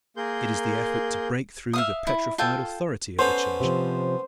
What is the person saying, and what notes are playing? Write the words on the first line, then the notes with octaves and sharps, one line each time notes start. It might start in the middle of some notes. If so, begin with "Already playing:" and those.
It is the effort to break through the petrified authority of the Church.
A#3 G#4 A#4 C6 G6
E5 F5 D#6
E4
F4 A4 G5 G#5
B3 C#4 A4 C5
C3 F3